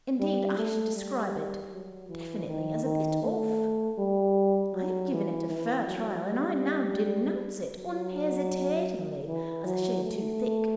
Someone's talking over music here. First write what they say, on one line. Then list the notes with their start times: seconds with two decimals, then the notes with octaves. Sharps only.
Indeed, I should describe it definitely as a bit off. I have given it a fair trial, and I now denounce it unhesitatingly as a shade too thick.'
0.20 G3
0.58 A3
0.96 G3
1.71 F#3
2.09 E3
2.47 D#3
2.84 D#3
3.22 A3
3.98 G3
4.74 F#3
5.12 E3
5.49 E3
5.87 F#3
6.25 G3
7.77 F#3
9.28 E3
9.66 F#3
10.03 A3